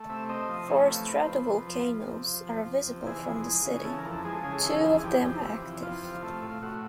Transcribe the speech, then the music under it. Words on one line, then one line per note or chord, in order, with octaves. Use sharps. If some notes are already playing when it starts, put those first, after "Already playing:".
Four stratovolcanoes are visible from the city, two of them active.
Already playing: A3
C3 E5
C4 D#5
F3
A3 C#5
C3 B4
C4
F3
F3
F2
F2
C3
F3
F2
F2
C3
E3 G#4
F2
G#3
C#3
E3 A4
A#4
F2
A4
G#3 G#4
A4
C#3 G#4
A4
E3 G#4
A4
F2 G#4
F2 G4
C3 G4
E3
F2
F2 F4
C3
A3 F4
A2
A2 F#4